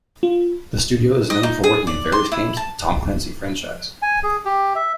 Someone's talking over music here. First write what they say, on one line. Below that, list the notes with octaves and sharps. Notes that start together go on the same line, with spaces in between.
The studio is known for working in various games in the "Tom Clancy" franchise.
F4
D#5
D#4
G#4
D5
C6
E4
A5
G#5
G#4
G4
E5